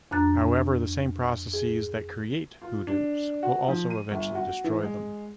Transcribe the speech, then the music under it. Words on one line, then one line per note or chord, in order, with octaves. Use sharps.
However, the same processes that create hoodoos will also eventually destroy them.
F2 D4 A#5 F#6 A6
G#4
F4
D4
F#4
F3
D#7
G1
F#4
E3
G#3